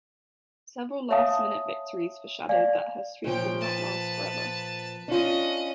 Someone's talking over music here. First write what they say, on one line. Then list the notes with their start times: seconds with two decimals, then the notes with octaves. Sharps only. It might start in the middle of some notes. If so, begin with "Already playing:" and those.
Several last-minute victories foreshadowed that her streak would not last forever.
1.10 C#5 E5 F5 G#5 A5 D#6
2.49 D5 F5 G#5
3.24 A#2 F3 C#5 G5
3.61 B4 A5
5.08 C#4 D4 F4 D#5